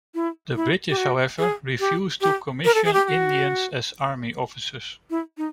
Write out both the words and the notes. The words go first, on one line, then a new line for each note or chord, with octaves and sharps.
The British, however, refused to commission Indians as army officers.
E4
E4
G4
F#4
G#4
G4
G4
A#4
A4
G#4
G4
G4
F#4
E4
D#4